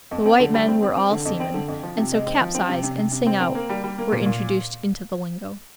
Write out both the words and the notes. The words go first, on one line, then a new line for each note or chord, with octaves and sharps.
The white men were all seamen, and so capsize and sing out were introduced into the lingo.
F2
C4
D3
G3
C4
C4
C4
D3
F2
C4
D3
F2
F3
C3
G#3
C4
F3
C4
C3
C3
C3
C3
C4
C4
A#3
G3
G3
A#3
A#2
A#2